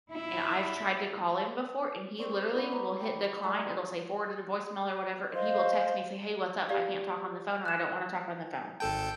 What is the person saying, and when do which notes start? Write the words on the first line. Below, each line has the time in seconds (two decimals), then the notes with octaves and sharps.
and I've tried to call him before, and he literally will hit decline. It'll say, "Forwarded to the voice mail," or whatever, and he will text me and say, "Hey. What's up? I can't talk on the phone," or, "I don't wanna talk on the phone."
0.10 E4
2.18 C4 C#5 D5
2.55 B3 E4
2.72 A#5
3.00 G5 B5
3.42 G3 G#3 A#5
5.33 C5 D#5 F5 C6
6.69 G4 D5 F5
7.65 F#6 E7
8.80 G#1 A4 G5 A5